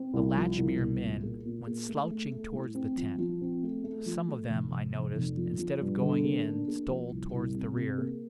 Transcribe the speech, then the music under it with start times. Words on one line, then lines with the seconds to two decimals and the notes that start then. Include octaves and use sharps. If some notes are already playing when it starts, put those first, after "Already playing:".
The Latchmere men went slouching towards the tent; some of them, I noticed, instead of going in stole towards the rear.
Already playing: C4
0.14 C2
0.36 F3
0.57 C2
0.79 C2
1.01 A#2
1.23 A#3
1.45 A#2
1.67 A#3
1.89 A3
2.11 A3
2.31 A3
2.53 A2
2.75 C4
2.97 F3
3.18 F3
3.41 C4
3.63 A3
3.84 A3
4.06 F3
4.28 A3
4.50 F1
4.71 F1
4.94 F1
5.16 F1
5.37 F3
5.59 F3
5.81 G2
6.02 D3
6.24 A#3
6.46 D4
6.68 A#3
6.89 F3
7.11 C2
7.34 C2
7.55 C3
7.76 C3
7.98 A#3